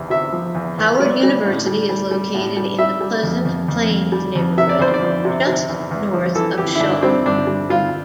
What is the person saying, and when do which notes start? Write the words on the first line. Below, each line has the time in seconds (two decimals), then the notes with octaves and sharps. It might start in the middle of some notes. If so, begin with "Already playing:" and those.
Howard University is located in the Pleasant Plains neighborhood, just north of Shaw.
Already playing: E2 C3
0.10 C3 E5
0.32 F3
0.55 E2
0.78 E2
0.99 G3 D5
1.23 G3
1.45 A2
1.66 G3
1.89 G3
2.11 G3
2.34 A2
2.57 G3
2.79 G3 E5
3.01 G3
3.23 F2
3.45 F2
3.68 F2
3.90 F2
4.12 G3
4.35 F2
4.57 C3 E5
4.69 D5
4.79 E2 C5
4.94 D5
5.01 F3
5.25 C3
5.47 C3
5.69 E2
5.91 E2
6.14 F3
6.35 E3 A4
6.58 E3 G4
6.75 E4
6.80 G2 D4
7.02 G3 C4
7.26 G2 D4
7.47 G3
7.70 G3 F4